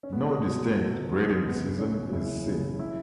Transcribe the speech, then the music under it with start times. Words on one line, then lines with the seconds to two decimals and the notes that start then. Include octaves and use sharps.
No distinct breeding season is seen.
0.03 C#4
0.13 C#2 B3
0.30 G#3
0.46 B2 F#3
0.63 A3
0.79 B2 F#3
1.12 C#2 G#3
1.46 F#1 B3
1.79 F#2 C#4
2.13 F#1 E4
2.46 C#3
2.79 E4